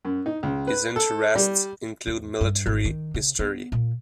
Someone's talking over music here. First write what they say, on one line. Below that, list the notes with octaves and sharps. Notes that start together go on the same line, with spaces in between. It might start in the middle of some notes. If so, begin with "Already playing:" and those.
His interests include military history.
F#2
D#4
C#2
B4
A4
G3
E2
G2
G#1
D#3
C#3
B3
A#2